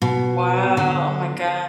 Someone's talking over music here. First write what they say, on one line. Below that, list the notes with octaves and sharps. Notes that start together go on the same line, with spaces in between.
Wow, oh my gosh.
B2
D3